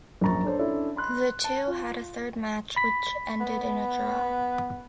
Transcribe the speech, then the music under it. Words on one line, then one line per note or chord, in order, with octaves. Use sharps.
The two had a third match, which ended in a draw.
A#1 F#2 A#3 A#5 C#6 A6
D4 A4 C5 C#5
C#4 D4 E4 A4 C5
B5 C6 F#6
A5
F4
B5 B6
B3